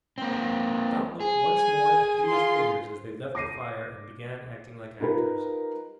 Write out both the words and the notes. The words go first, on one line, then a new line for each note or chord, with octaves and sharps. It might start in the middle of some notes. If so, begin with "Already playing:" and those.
Dot looked once more at the hideous figures as they left the fire and began acting like actors.
A#3 C4
G#4
G#5
F4 C6
D6 A#6 C7 D#7
D#4 F4 G4 A#4 B4